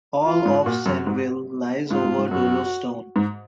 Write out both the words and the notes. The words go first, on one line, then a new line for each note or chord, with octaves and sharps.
All of Senneville lies over dolostone.
F4
G#2
A#2 F#4
F#2
G#2
G#2 F4
G#2
G#2
F#2 F#4
G#2